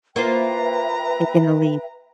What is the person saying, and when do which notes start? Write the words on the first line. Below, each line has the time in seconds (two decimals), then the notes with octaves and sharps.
taking the leap.
0.16 A#3 F4 B4 C5 E5 G5 A#5